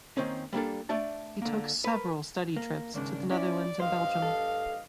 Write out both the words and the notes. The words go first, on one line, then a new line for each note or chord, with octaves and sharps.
He took several study trips to the Netherlands and Belgium.
D#3 A#3 C4 C#4
G3 A#3 D4 A4
A3 D4 D5 A5
D3 A#3
A#4 B4
A#3
D#2 G#2 C#3 A#3 D4
C#4 E4 D5
G2 C5 D#5 F5
A4